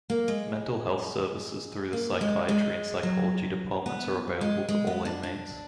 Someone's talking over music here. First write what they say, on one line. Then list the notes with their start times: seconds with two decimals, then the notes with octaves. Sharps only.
Mental Health Services through the Psychiatry and Psychology Departments are available to all inmates.
0.10 A#3
0.28 G#3
1.93 A#3
2.21 G#3
2.49 G#3
3.03 F#3
3.86 B3
4.41 G#3
4.69 G#3
4.87 B3
5.05 D4
5.23 D4